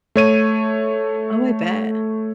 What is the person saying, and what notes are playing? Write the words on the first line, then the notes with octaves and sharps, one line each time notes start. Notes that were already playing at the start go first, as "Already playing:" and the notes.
Oh, I bet.
A3 C#5 D#7